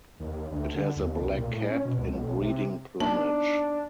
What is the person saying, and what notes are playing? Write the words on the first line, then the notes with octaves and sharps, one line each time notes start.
It has a black cap in breeding plumage.
D#2
D2
D3
D#2
C2
A#2
A2
C#4
B2
C#2
B1
C3
A#3 B3 D4 D#4 A5